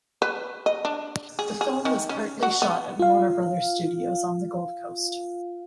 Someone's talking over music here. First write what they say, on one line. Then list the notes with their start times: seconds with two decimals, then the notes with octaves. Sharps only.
The film was partly shot at Warner Brothers studios on the Gold Coast.
0.22 B4
0.66 D#5
0.85 D4
1.39 G#4
1.61 G#4
1.85 D#3
2.09 C#4
2.43 F#4
2.62 B3
3.00 F4 F5